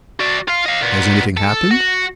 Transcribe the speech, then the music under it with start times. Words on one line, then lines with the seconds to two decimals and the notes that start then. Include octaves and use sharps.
"Has anything happened?"
0.20 F#4 D5
0.48 F4 F5
0.65 D#5 F5
0.81 A#2 B3
1.37 A4
1.71 F#4